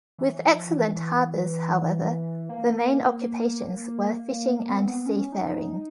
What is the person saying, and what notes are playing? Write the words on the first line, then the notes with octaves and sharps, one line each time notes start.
With excellent harbors, however, the main occupations were fishing and seafaring.
E3
F3
E3
E3
A#3
C4
B3
C#4
D#4